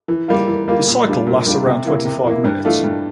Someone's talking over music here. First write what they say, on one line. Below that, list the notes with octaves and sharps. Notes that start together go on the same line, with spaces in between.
The cycle lasts around twenty-five minutes.
E3
G3 A#3 F4
E3
G3 A#3 F4
A#2
G3 D4 F4
A#2
G3 D4 F4
C3
E3 A#3 E4
C3
E3 A#3 E4
G2
E3 A3 D4 F4
G2